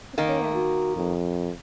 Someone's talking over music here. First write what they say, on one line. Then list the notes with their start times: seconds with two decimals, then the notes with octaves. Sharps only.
But there!
0.18 D#3 A#3
0.55 F#4
0.96 F2